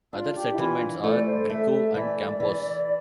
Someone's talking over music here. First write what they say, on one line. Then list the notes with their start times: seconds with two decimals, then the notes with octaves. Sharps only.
Other settlements are Grikou and Kampos.
0.13 D4 F4
0.35 G4
0.52 E4
0.58 E3 F4
1.04 A3 D5
1.26 C5
1.49 A3 E5
1.72 E5
1.95 E3 D5
2.40 E3